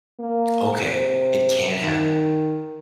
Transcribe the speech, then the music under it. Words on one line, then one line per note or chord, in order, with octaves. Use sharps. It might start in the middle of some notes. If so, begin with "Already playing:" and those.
Okay. It can happen.
A#3
C3
D#3